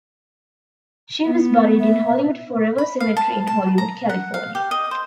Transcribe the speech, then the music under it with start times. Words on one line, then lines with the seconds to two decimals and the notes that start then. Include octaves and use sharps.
She was buried in Hollywood Forever Cemetery in Hollywood, California.
1.25 B3
1.79 E5
2.78 B5
3.00 F5
3.17 A5
3.47 A5
3.78 A#5
4.09 F#5
4.34 F5
4.55 G4
4.71 D#5
4.91 C5